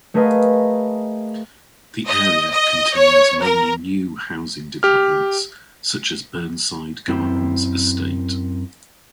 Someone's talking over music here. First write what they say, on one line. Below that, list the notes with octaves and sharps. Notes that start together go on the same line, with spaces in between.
The area contains mainly new housing developments such as Burnside Gardens Estate.
A3 G#4 A#4 B4 D#5 F5
D#5
D#5
C#5
A#4
G4 F6
F#2 C4 E4 G5